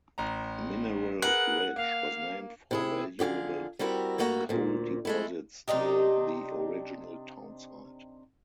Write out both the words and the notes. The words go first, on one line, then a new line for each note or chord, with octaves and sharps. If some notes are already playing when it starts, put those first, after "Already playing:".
Mineral Ridge was named for valuable coal deposits near the original town site.
A1 A#5
G#4 A#4 B4 F#5 F#7
A#3 F5
C3 E4 G#4
F2 D3 G4 G#4 F5
G3 C4 E4 F#4 A#4
G2 A3 A#3 F#4 C#5 A#5
D2 A#2
G#3 A3 E4
C3 D4 D#4 G4